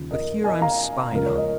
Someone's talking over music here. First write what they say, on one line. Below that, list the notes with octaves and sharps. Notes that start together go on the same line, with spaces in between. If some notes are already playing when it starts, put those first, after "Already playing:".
But here I'm spied on.
Already playing: D#2 C#3 F3
A#4 D#5
D#5 G#5
F5 A#5
C#2 C#3 F3 A#4
C#5
D#5